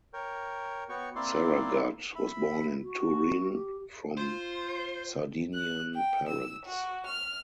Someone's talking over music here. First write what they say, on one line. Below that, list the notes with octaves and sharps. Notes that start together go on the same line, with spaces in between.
Saragat was born in Turin, from Sardinian parents.
A#4 C#5 G5
B3 F#4 C#5 G5 C#6
A#3 C4 E4 D5 C6
E5 B5
F#4
G4
F4 C5
F#6
G5
E6
F#4
F6